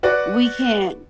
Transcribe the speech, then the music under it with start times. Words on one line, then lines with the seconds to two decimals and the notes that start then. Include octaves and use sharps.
We can't.
0.03 F#4 B4 D5 F#5